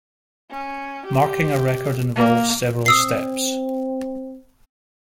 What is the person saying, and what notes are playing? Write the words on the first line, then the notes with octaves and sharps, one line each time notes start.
Marking a record involves several steps.
C#4
G4
A#3
C4 D#6 E6 C7